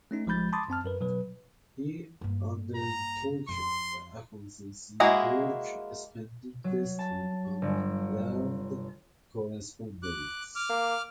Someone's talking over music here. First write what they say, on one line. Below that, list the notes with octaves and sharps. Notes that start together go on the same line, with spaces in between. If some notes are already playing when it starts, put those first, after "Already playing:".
He undertook accountancy work, spending less time on learned correspondence.
A3 C#4 D#4
A1 F3 G#3 B5 G6 A6
A5 B5 C6 D6 D#6 A6
F#2 C4 A5 F6
F#2 A#4 B4
B2 F#3 B4
G2 A#3
A#5
F2 C6
G#3 A#3 E4 F#4 G#4
F#3
A5
G1
D6 F#6
D6 F6
A#3